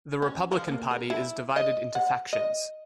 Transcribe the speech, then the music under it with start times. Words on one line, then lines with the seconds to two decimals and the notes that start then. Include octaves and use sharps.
The Republican Party is divided into factions.
0.22 C#4
0.52 F3
0.68 A#3
0.91 A#4
1.10 E4
1.56 D#5
1.95 F#5
2.33 D#5